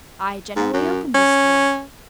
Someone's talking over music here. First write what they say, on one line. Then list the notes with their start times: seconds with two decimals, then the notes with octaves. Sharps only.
I generally opened the store.
0.56 G#2
0.74 F#2
1.14 C#4